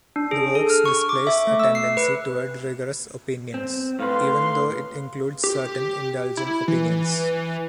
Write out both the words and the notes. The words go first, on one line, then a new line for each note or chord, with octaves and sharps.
The works displays a tendency toward rigorous opinions, even though it includes certain indulgent opinions.
D4
G#4
A4
F6
C#6
D6
E5
A3
E6
C7
B4
C4
A2 B4 F5 C6
G4
E4
E3